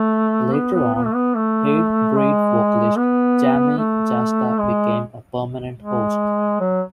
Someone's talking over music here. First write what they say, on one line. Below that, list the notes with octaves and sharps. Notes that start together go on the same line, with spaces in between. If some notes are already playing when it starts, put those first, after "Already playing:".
Later on, Hatebreed vocalist Jamey Jasta became a permanent host.
Already playing: A3
B3
B3
B3
A3
B3
A3
G#3
B3
A3
G#3
G#3
F#3